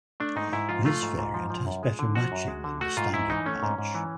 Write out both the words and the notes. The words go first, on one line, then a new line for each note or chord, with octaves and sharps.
This variant has better matching than the standard patch.
A3 D4
G#2 D#4
G#2 E4
F3 F4
A3 F4
G#2
G#2
F3
F3
F#2
G#3
D3
F3 F#4
F#2
G#3
D3
A3 F#4
G#2 F4
G#2 E4
E3 D#4
A3 C#4
G#2
G#2
E3